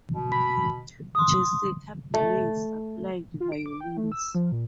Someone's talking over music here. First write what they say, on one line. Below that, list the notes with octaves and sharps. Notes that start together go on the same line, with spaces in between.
Jessica Billey supplied violins.
B2
B5
C6 D#6
A3
F4
D7
D6
G5
A3
E6
F3
A#2